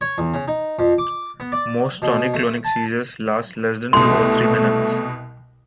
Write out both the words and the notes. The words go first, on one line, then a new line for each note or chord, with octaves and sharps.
Most tonic-clonic seizures last less than two or three minutes.
C#5
E2
C#3
D#4
F2
D6
B3
D5
B2
A3
A5
C2 B2 A3 C6